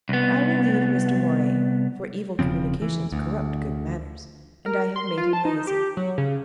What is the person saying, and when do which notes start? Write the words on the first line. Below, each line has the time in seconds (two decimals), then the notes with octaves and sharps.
But I will leave Mr. Moray, for 'evil communications corrupt good manners,' and I have made him lazy.
0.09 C2 B3
2.39 E1 C#3 F3 C4
2.82 E3
3.12 D2
4.66 A#4
4.96 C6
5.17 F4
5.33 A5
5.45 D#4
5.67 G4
5.97 F#3
6.18 C#3